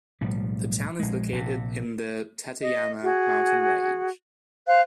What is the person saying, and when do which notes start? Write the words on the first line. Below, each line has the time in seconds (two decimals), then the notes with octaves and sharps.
The town is located in the Tateyama Mountain Range.
0.21 B1 A2 F3 G3
0.99 A#1 G#3
1.32 A#1 C3
2.60 D#5
3.03 F#4 G#4
4.67 C5 F5 F#6